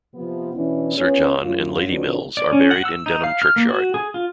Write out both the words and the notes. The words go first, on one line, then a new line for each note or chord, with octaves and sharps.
Sir John and Lady Mills are buried in Denham Churchyard.
C3 F3 B3
B2 E3 C#4 D4 E4
B3 C#4 F4 G#4 B4 C#5
F#2 F#3 F4
D3 F3 B3 C#4 D#4 F#4
D5
C#4
F#5
E6
D#4
F5
F6
A#3
F#4
G#4
F4